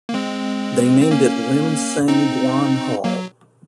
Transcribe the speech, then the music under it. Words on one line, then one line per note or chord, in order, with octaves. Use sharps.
They named it Lim Seng Guan Hall.
A#3
G#3 C4
C4
A#3 C#4
C4 D#4
F#3 A#3